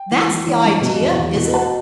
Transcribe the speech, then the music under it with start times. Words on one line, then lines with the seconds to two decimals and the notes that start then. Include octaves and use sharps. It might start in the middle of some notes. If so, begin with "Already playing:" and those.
That's the idea, is it?
Already playing: G5
0.11 E3
0.29 E3
0.47 E3
0.64 G2
0.82 B2
1.00 E2
1.18 E2
1.36 B2
1.54 B2 F#5 A5